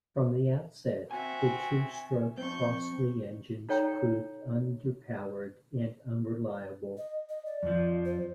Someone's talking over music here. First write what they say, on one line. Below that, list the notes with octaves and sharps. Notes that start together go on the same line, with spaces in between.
From the outset, the two-stroke Crossley engines proved under-powered and unreliable.
C4 F#4 E5 G#5
F2 C4 C#6 G6
D#4 A4 C#5 G5 A#5
D#5
D#5
D5
F2 F3
C5